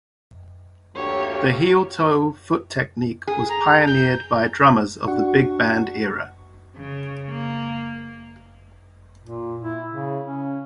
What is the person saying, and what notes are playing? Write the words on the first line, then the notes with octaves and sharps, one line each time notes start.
The heel-toe foot technique was pioneered by drummers of the big band era.
D2 A#3 G4 C#5
G#4
A#5
G6
D4 F#4 F#5 C#6
C#3
A#3
A#2
E4
C#3
C#4